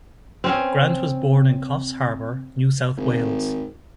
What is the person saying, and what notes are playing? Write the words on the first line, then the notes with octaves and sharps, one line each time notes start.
Grant was born in Coffs Harbour, New South Wales.
C4 C#4
G#1